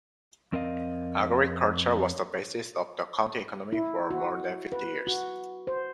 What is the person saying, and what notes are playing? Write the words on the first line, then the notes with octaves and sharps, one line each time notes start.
Agriculture was the basis of the county economy for more than fifty years.
F2 C4 A#4 D5 D#5 F5
E4
F#4
B4
F#4
C5